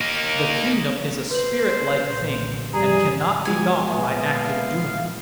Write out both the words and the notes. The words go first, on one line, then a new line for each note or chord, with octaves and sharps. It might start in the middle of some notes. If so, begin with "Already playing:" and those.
The kingdom is a spirit-like thing, and cannot be got by active doing.
A#3 D#4
B4 C5 F#7
B1 A#2 D3
G#1 F2 E3 G3 G#4 A#5
B2 F3 G#3 G#5
A#2 G#3 B3 E5 D#6
F5